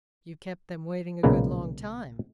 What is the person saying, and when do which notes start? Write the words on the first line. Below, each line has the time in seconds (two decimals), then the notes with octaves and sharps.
'You kept them waiting a good long time!'
1.23 B1 A#2 C#3 G#3 A#3 B4